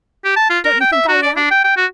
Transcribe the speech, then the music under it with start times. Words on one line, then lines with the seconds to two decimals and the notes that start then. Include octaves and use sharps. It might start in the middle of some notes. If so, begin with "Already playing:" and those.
Don't you think I am?
0.24 G4
0.36 A5
0.50 F4
0.65 A#4
0.80 G5
0.92 E5
1.08 F#4
1.22 D5
1.36 D4
1.51 G5
1.64 G5
1.77 F#4